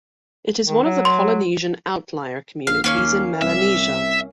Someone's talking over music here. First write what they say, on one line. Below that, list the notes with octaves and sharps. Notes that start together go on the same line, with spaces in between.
It is one of the Polynesian Outlier communities in Melanesia.
D#3
F#3
C6
A#1 F5
D#2 A#3 C#4 F5
C2 E5